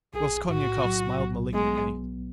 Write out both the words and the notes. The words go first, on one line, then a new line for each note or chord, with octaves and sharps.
Raskolnikov smiled malignantly.
B1 G#4
A2 F#4
F#3
B1
G#3 B3